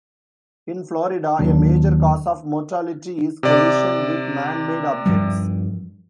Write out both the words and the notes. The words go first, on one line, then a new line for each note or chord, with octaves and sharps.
In Florida a major cause of mortality is collision with man-made objects.
D#2 F#3 D4
C3 D5
G2 F3 G3